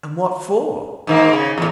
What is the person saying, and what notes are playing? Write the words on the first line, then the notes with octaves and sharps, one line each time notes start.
"And what for?"
G#2 D#3 A#3
C#3
E2 A2